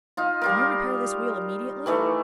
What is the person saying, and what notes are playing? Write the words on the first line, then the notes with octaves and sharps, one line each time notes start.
"Can you repair this wheel immediately?"
D#4 F4
G3 F4 A#4
D#3 E3 A3